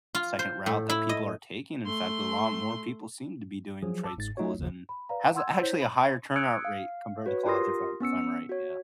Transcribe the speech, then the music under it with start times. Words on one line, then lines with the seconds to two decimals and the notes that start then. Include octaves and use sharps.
second route that people are taking, in fact, a lot more people seem to be doing trade schools, and has, actually, a higher turnout rate compared to college, if I'm if I'm right, yeah.
0.15 F4
0.39 C5
0.66 A2
0.90 E4
1.09 D#5
1.85 A3 C6
3.82 F3 F#3 G#4
4.04 A5 D6 E6
4.17 G1 G#2 A6
4.37 F#3 A3 D#4 F4 F#4 C#5
4.59 G#1 D#2 C#3 F3
4.89 B5
5.09 B4 D5 F5 A#5
5.35 F#5 G#5 C6 E6 G#6
5.62 E4 C5 C#5 G6 B6
5.81 B5 F#7
6.35 D#6 E6 F#6 G#6 C#7 D7
6.65 F5
7.26 F#4 B4 C#5
7.46 F4 G4 A#4 C6 D#6 A#6
8.00 B3 C#4 E6 C#7
8.49 F#4 C#5